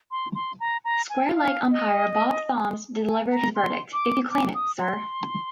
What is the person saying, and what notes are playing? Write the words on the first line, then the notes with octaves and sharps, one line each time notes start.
Square-leg umpire Bob Thoms delivered his verdict: If you claim it, Sir!
C6
C6
A#5
A#5
G#5
F5
D#5
G#5
A#5
C6
D6
D6
D#6
C6